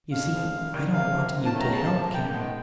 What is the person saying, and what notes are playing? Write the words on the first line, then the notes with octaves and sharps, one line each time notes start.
"You see--I don't want you to help caring."
F2 F5
C#3 F3
F#2
D#3 G3 A#3
C3 F5
F3 A#3
G#2
A5
D#3 F#3 A3
A#5
C#3 A5
F3 A#3
F#2 G5
D#3 G#3 B3